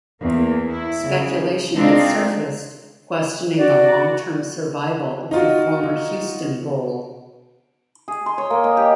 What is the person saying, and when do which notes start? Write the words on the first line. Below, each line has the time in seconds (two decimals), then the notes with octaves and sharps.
Speculation had surfaced questioning the long-term survival of the former Houston Bowl.
0.21 E2 A#3
0.70 E4
1.07 C#3
1.74 G#3 C4 D4 D#4 F4
3.57 F#4 D5
5.31 D#4 F4 F#4
8.08 G#4
8.26 C6
8.38 C#5
8.50 A#3
8.64 D#5
8.77 G4